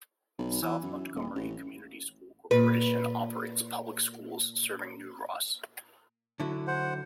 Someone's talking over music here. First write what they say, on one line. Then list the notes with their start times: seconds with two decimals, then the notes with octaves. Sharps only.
South Montgomery Community School Corporation operates public schools serving New Ross.
0.38 B1
0.62 E3
0.83 F#2
1.14 D#1
1.35 A1
2.51 A#2 B4
6.40 D3 F#3 E4
6.67 C5 F#5